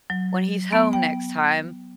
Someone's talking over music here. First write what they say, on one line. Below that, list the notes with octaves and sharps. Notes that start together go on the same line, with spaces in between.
when he's home next time.
F#3
B3
G5